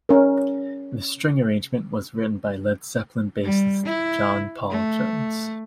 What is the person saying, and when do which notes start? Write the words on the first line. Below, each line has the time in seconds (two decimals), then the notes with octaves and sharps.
The string arrangement was written by Led Zeppelin bassist John Paul Jones.
0.09 C#4 A#4
3.44 G3
3.85 E4
4.70 A3